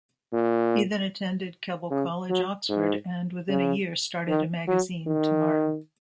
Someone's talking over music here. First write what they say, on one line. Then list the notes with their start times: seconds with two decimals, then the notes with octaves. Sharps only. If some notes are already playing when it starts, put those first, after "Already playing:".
He then attended Keble College, Oxford, and within a year started a magazine "Tomorrow".
0.33 A#2
1.91 C#3
2.30 F#3
2.69 G#2
3.49 C#3
4.28 D#3
4.67 F#3
5.07 D#3